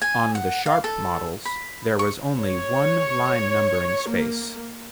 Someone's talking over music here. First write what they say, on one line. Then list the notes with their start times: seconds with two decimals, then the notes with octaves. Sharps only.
On the Sharp models, there was only one line numbering space.
0.02 G#5
0.35 F#5
0.66 F5
0.84 A4
1.45 B5
1.99 C#6
2.40 C#5
4.10 A#3